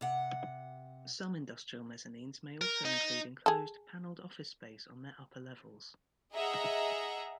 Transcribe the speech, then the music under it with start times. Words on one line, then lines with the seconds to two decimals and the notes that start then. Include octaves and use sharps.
Some industrial mezzanines may also include enclosed, paneled office space on their upper levels.
0.01 C3 F#5
2.61 A#4
2.85 D#4
3.46 G#4 A4
6.34 G#4 D#5 E5 F#5 A#5